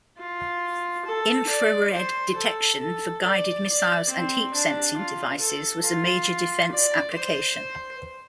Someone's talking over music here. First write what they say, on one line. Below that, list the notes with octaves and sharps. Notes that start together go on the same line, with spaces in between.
Infrared detection for guided missiles and heat sensing devices was a major defence application.
F4
A4
D5
C5
A4
A4
D5
D5
C4
D4
F4
A4
F4
D5
C5